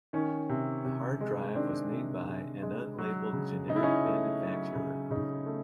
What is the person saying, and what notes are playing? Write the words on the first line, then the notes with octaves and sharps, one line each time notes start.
The hard drive was made by an unlabeled generic manufacturer.
D#3 C#4
C3
C3
G#3
D#3 C4 D4
C3
C3
G#3
F#3
C#3
C#3 D#4
E4
C#4 D#4
A3
F#3
C#3
C#3 C#4 D#4
A3